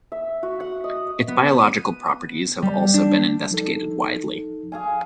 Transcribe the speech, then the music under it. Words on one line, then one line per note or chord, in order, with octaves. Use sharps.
Its biological properties have also been investigated widely.
E5
F#4
F#5
D#5
B3
D#7
G3
D4
F3 D#4 A4
G#4 F5 G#5